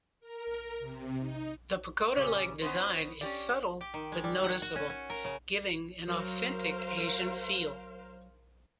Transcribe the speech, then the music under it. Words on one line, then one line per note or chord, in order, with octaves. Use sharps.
The pagoda-like design is subtle but noticeable, giving an authentic Asian feel.
A#4
C3
D#4
A#2 C#3 G3 C#4
B3 C#4 D#4 C5
C#4 G4 D5
G4
D#3
G#3
G3
F#5
F#4
C#4
C#4
A#4
C#3
F#3 A#4 C5 F5